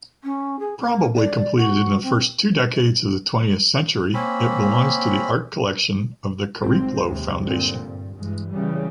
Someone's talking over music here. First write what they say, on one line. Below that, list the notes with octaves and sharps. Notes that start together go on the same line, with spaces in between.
Probably completed in the first two decades of the Twentieth Century, it belongs to the art collection of the Cariplo Foundation.
C#4
G#4
A#3
D5
F#4
C4
A#3 C4 C#4 B5
G#1 C4
D#2 C3 G#3
G2 A#2 D3 G3 C4
G2
G2 E3 G#3
C#3 E3 G3